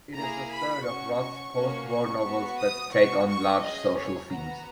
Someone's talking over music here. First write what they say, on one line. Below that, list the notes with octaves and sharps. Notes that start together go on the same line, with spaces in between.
It is the third of Roth's postwar novels that take on large social themes.
A#3 E4 G#4 A#5
B5
C#4 F#4 C#6
A#3 C#4 F#4
C#6
B3 F#4
D#6
B3 F#4 C#6
C#6
C#4 G#4 D#5
C#5
B3 F#4 A#5